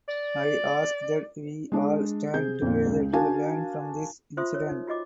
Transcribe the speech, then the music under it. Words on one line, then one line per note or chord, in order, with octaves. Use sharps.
I ask that we all stand together to learn from this incident.
D5
G#3 D4
C3 G#4 G6
F2 A#2
C#2 C#3
D4 F#4 A#4 F5 G#5 A5
F4 C5 E5 C6 D#6
A#4 C#5
D#4
F4 F#4 D#5 D6